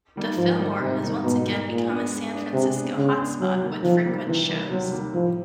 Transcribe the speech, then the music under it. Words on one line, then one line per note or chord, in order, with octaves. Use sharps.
The Fillmore has once again become a San Francisco hot spot with frequent shows.
D#3 G3 A#3 D#4
G#2 F3
D#3 G3 A#3 D#4
G#2 C3
D#3 G3 A#3 D#4
G#2 B2
D#3 G3 A#3 D#4
A#2 G#3
B3 D4
G#3
B3 D4
C3 G#3
B3 D4
C#3 G#3
B3 D4
C3 F#3
D#3 G3 A#3
C3 F3
D#3 G3 A#3
C3 E3
D#3 G3 A#3
C3 F#3
D#3 G3 A#3
A2 F3